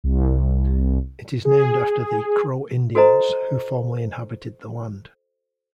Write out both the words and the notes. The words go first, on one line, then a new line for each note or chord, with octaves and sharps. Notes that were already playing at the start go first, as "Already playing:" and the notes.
It is named after the Crow Indians who formerly inhabited the land.
C2
G#4
F#4 A4 C5 D#5 A#5